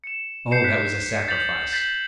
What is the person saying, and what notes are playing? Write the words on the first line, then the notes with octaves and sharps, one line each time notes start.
Oh, that was a sacrifice!
C#7 E7
G6 C7 C#7 E7
F#6 B6
G6 A6 B6 F7 F#7
G6 A6 B6 C7 F#7